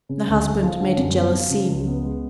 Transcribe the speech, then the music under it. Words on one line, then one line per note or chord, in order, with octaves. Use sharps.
The husband made a jealous scene.
C#3
D2
G#3
F3
D3
F#2
B3
F3
C#3
C#2
B3
G#3